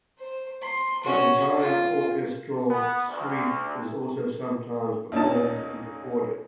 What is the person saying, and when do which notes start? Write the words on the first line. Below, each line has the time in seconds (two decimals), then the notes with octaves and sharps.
The entire orchestral suite is also sometimes performed and recorded.
0.19 C5
0.62 C6
1.04 C#4 F#4
1.60 F4
2.70 B3
3.08 D2
5.12 D#2 A#2 C#4 D#4 A5